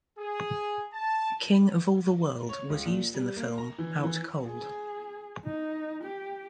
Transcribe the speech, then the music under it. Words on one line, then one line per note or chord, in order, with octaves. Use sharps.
"King of All the World" was used in the film "Out Cold".
G#4
A5
C#5
C#2
A#2
G3
A#3
A#5
E3
E3
G#4
D#4
G4